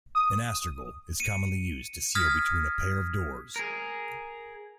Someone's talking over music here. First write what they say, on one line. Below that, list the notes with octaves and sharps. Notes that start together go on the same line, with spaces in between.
An astragal is commonly used to seal between a pair of doors.
D#6
C#7 D#7
D#6 F6 G#6 A#6 B6
G#4 A#4